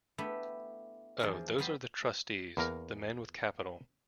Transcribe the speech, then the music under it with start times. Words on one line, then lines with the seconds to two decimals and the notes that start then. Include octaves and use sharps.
Oh, those are the trustees — the men with capital.
0.18 A3 B3 D4 E4 G4
1.20 E2 F3 D4 G#4 A#4 G#5
1.58 F3 F#3 B3 G4 C5
2.57 E2 A#3 A#4